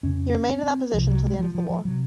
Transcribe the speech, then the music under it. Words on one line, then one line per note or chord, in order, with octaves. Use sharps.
He remained in that position until the end of the war.
F2 C#3 C#4
C4
C4
C2 C3 F3
F#3
G#3
F3
F3
F3
C3 F#3